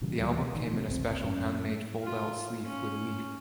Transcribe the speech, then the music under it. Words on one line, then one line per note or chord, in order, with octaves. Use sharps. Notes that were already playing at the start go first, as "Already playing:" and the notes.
The album came in a special hand-made fold-out sleeve with leaf.
A#2 C#3 E3 G3
D2 E3 F#3 G3
A1 D#3
C3 F3
G1 C#2 C#3 C4
F#2 C#4
F4
C#4